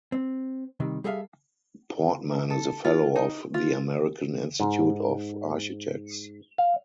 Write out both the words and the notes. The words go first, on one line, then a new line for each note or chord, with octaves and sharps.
Portman is a Fellow of the American Institute of Architects.
C4
C3 D#3 G3
G3 G#4 A4 E5 F5
A4
F4
D#4
F4
G#2
F5